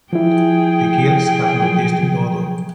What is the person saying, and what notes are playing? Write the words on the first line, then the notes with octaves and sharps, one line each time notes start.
The gills have no distinct odour.
F3 E4 G#4 G5
F3 F#3